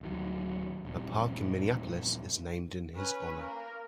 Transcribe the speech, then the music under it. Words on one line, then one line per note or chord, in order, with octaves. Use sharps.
A park in Minneapolis is named in his honor.
D1 D#3 F#3
D#1 F2
C#4 B4
A#3 A#4